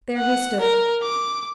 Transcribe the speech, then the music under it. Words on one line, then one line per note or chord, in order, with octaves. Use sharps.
There he stood.
F#5
A#4
D6